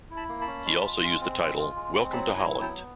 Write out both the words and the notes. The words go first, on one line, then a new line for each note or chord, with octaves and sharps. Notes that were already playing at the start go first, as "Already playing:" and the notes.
He also used the title "Welcome to Holland".
E4
A5 B5
A#3
A5 B5
C#4
G#3
F4
G#3
C4
G#3
F4
G#3
C4
F#3 A5 B5
E4
G#5 A#5
F#3
G5 A5
B3